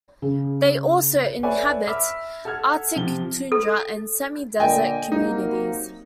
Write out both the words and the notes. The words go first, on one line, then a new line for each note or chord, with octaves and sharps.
They also inhabit arctic tundra and semidesert communities.
C#3
A4 B4 C#5 D5 E5 G#5
E5 B5 D6 E6 F6 B6
A4 F#5 A5 F6 G#6
C3 F3 G7
A4
A#2 D3 D#5 G5 G#5
C3 F#3 A#3 D#4